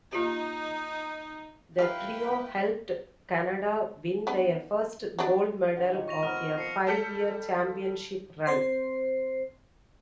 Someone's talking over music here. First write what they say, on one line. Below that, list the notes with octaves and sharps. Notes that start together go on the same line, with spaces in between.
The trio helped Canada win their first gold medal of a five-year championship run.
A#3 D#4 F4 G4
G3 E4 F4 A#4 B4 F5 G5
B3 D4
F#3 D4
D3 G4
A#2 D#3 C#5
C#6 A#6 F7
B3 C4 F6
F3 C7 C#7
G3 A4 A5 G6 B6 C#7
C4 C5 C7